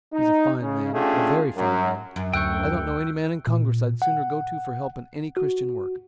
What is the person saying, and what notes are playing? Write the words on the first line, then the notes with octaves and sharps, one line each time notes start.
He's a fine man, a very fine man. I don't know any man in congress I'd sooner go to for help in any Christian work.
D#4
C#3
A3 C#4 D4 F4 G4 G#4
F#2 F#3
F#2
D2 G5 C#6 E6 F#6 G6
A#2
F#5
F#4